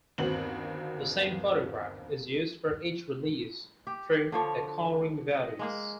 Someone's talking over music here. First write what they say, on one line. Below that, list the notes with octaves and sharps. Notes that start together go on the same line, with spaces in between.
The same photograph is used for each release though the colouring varies.
G1 D#2 B3 C4 F#4 F#7
G4
D3 F3 C#5
D#5
G#3 A#3 G#4